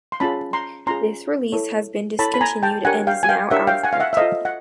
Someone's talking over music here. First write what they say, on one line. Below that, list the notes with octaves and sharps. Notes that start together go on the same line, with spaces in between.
This release has been discontinued and is now out of print.
C6
C#4 F4 G#4 A5 B5
A#5 C6
C#4 F4 G#4 A#5 C6
E4 A4 C#5
E4 A4 C#5 A5 B5
B5
G#5 A#5
G5 A5
D4 G4 A#4 C#5 F#5 G#5
F5 G5
G#5
F5 G5
D4 G4 A#4 C#5 E5 F#5
F5 G5
F#5 G#5
F5
E5 F#5
E5
F4 A4 C5 D#5 F5
F#5